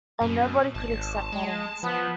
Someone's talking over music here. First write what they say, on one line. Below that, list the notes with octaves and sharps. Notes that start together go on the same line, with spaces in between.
And nobody could accept that answer.
F#2 B2
G#1 A5
G#3
F3 B3